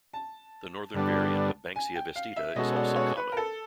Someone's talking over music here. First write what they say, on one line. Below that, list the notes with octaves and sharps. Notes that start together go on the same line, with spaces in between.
The northern variant of "Banksia vestita" is also common.
A5
G2 D3 G3 B3 D4
G#5
G5
F5
E5
B2 G#3 C#4 F#4 A4 D#5
D5
C#5
B4
A#4
A4